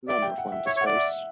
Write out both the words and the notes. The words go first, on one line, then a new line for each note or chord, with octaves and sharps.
None were flown to space.
D5 E5
G5
F#5
E5
C#5 E5
C#5
F#5
D5
E5